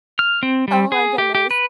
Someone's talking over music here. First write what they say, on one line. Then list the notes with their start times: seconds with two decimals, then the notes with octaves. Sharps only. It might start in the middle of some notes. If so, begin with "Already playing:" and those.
oh my goodness.
0.19 F6
0.43 C4
0.68 G3
0.92 G#4
1.18 G4
1.35 G4
1.51 B4